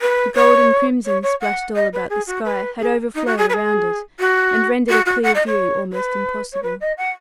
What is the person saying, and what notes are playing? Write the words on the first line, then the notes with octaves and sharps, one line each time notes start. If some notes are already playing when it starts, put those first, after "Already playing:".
The gold and crimson, splashed all about the sky, had overflowed around it, and rendered a clear view almost impossible.
B4
C#5
C#5
C#5
F#5
D#5
B4
G#4
F#4
B4
G#4
D#4
F#4
G#4
B4
G#4
F#4
F#4
F#4
F#5
D#5
C#5
B4
C#5
B4
D#5
F#5